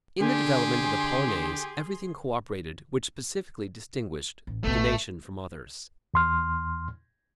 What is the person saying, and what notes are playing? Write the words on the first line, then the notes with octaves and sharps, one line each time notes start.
In the development of the Polonaise everything co-operated which specifically distinguished the nation from others.
D3 G4 G#4 G#5 C6
A1
A1 B2 A3
E2 C6 F6